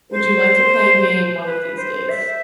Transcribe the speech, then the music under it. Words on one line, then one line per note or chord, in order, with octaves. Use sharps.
Would you like to play a game one of these days?
C5
B4
C5
E5